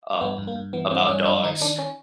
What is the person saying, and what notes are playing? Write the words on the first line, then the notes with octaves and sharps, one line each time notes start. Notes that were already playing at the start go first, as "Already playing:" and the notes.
um, about dogs,
G2 B3
G2
A#3
G2
E3 B3
G2 C4
G2 C#4
F#2 D4
D#3 D#4
D#3 D4
C#4